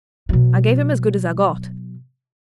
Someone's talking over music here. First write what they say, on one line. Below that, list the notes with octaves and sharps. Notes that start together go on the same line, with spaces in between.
I gave him as good as I got.
B2 F#3